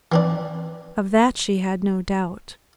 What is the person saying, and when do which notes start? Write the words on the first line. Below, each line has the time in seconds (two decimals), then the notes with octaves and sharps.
Of that she had no doubt.
0.12 E3 C4 D4